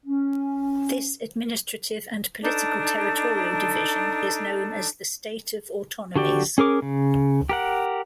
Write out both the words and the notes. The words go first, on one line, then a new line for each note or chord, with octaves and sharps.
This administrative and political territorial division is known as the "State of Autonomies".
C#4
D4 D#4 A4
D3 F#4 G4 D5
C#4 G#4 A#4 D6
C#3
G4 A#4 F#5